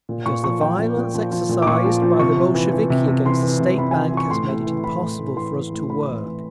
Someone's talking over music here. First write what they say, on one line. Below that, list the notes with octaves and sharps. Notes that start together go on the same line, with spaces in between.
Because the violence exercised by the Bolsheviki against the State Bank has made it impossible for us to work.
A#2
A#2 C#6
F3 C#6
F3 G5
A#2
A#2
F3
F3
A#2
D6
A#2 C#6
F3
F3
C3 C#6
C3
E3
E3
C3
C3
E3 C6
E3
C3
C3 B5
G#5
E3
E3 C#6
A2 C6
A2
E3
E3 B5
A2
A2
E3 C6
E3
A2
A2 B5
E3
E3